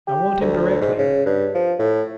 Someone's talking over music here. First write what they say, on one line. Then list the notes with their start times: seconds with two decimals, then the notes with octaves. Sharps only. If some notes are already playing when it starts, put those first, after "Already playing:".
I want him directly.
0.07 G4
0.41 D2
0.81 G#2
0.99 C#3
1.26 G2
1.55 F3
1.79 A2